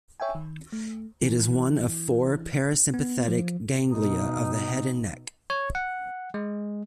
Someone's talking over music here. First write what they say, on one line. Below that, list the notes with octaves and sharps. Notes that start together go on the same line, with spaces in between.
It is one of four parasympathetic ganglia of the head and neck.
C#5 E5 G5 G#5
D#3
A3
E3
B3
F3
B2 D#4
C#5
F#5
G#3